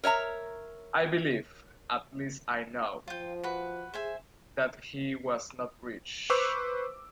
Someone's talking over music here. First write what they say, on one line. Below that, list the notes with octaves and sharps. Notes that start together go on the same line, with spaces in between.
I believe — at least I know — that he was not rich.
A#4 C#5 E5 A#5
F3 F4 G5
F#4 B4
G#4 C5 E5 G#5
B4 C5 C#6 D6 E6